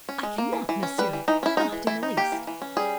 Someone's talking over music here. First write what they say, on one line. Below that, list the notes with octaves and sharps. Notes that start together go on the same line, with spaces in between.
"I cannot, monsieur, not in the least."
C#4
G#3
A#3
E3
E3
C#4
G3 B4
E3
E3 D#4
C#4 E4
G#3 D#4
E3
E3 E4
D#4
A#3 G4
E3
E3
C#4
G3 G#4